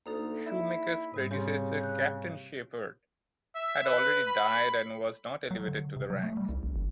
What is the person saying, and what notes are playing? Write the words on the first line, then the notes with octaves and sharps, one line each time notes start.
Shoemaker's predecessor, Captain Shepard, had already died and was not elevated to the rank.
D2 A#3 D#4 A4
E4 D5 E5
G#2 C3 G3
C#3 C4 G4
F#6 G6
E5
B4
B5
F#3
D3
C3
F#3
A3
G3
C2
A#1
G1